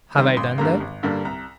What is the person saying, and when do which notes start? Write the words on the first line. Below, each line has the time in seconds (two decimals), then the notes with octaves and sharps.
Have I done that?
0.15 D#3 G3 C4
0.37 G#1 C6
0.58 G2 D3 G3 A#3 A#5
0.80 G#1
1.03 G2 D3 G3 A#3
1.25 C2 A#5